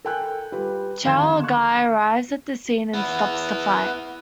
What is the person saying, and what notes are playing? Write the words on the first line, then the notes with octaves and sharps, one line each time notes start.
Chao Gai arrives at the scene and stops the fight.
A4 A#4 G5 G#5 F#6 G6
G3 F4 B4
F2 D#3 F5 C6 G#6 E7
D3
C#6 F#6
B3 E4